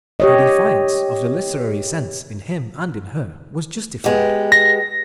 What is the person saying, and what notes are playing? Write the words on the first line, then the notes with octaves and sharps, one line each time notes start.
Her defiance of the literary sense in him and in her was justified.
G4 C#5 D#5
G#3 B3 G4
A#6